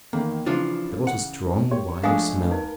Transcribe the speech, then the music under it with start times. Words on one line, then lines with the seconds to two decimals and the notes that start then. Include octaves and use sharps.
There was a strong, winey smell.
0.13 E2 D#3 A#3
0.46 C#3 E3 F3 D4 F4
1.07 F#5
1.71 G4 C#5
2.03 F3 G#3 A3 D4 F5 G#5 D#6
2.51 D#4 A#4 B4